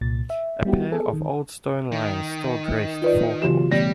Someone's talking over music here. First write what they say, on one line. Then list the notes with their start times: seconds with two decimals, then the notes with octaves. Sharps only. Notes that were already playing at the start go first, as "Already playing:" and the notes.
A pair of old stone lions still grace the forecourt.
0.01 C2 A#2 A6
0.30 E5
0.65 G3 B3 E4 F#4 G4
0.92 B3 G#4 A4
1.13 D#3
1.92 D#3
3.02 F4 B4 D5
3.42 B1 C#3 E3 F4 G4 E7
3.72 A1 B2 G3 D5 A#6